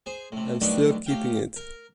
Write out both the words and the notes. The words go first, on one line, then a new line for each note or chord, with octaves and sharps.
I am still keeping it.
G#4 C5
A2 C3
D3 D#3 F#3 G3 A3 B3
A2 G4 F5 G5
A#4